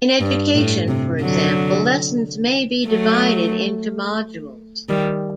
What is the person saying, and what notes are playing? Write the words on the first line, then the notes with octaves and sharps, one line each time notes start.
In education, for example, lessons may be divided into modules.
G2
A2
C3
D3 F#3
F#3 A3
D#3 G3